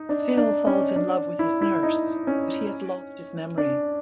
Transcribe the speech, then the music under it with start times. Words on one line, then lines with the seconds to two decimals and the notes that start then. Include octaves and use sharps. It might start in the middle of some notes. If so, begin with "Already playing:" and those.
Phil falls in love with his nurse but he has lost his memory.
Already playing: D#4
0.09 D4
0.37 D4
0.67 C#4
0.96 D4
1.39 E4
1.62 E4
1.83 D#4
2.27 C#4
3.58 D4